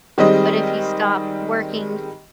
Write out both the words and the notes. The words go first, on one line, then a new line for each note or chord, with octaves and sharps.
But if you stop working,
D#3 G3 G#3 C4 D#5